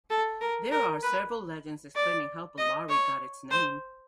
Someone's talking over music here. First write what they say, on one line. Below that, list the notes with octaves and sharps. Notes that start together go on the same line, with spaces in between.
There are several legends explaining how Ballari got its name.
A4
A#4
A#4
B4
D5
D#5
C#5
C5